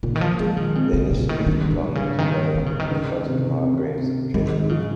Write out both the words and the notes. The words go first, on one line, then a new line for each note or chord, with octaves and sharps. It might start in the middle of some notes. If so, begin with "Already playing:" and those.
They initially belonged to Dohna, but fell to the Margraves of Dresden.
A#2 C#3
D#3
F3
F3 G#3
D#3
C#3 C4
C#3
A#2 C#3
D#3
G2 D#3
C3
G2
C#3
G#1 D#3
G#1 D#3
C#3
D#3
C#2
C3
C4
C4
G#2 D#3
C#3 F3